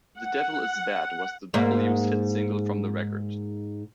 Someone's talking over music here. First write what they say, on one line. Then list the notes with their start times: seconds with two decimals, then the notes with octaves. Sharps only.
"The Devil Is Bad" was The W's hit single from the record.
0.19 F#5
1.54 G#2 A#3